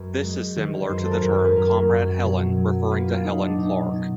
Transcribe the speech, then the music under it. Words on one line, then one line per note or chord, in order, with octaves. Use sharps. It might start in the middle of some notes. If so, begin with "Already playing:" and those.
This is similar to the term "Comrade Helen", referring to Helen Clark.
Already playing: F#2 B4
G#3
D#3
B4
F#2 C5
A4
A#4
F#2
A#4
B4
F#2 A#4
F#2
B2
F#3
A#3 B4
F4
F#3 D#4
D4
B2 D#4
B2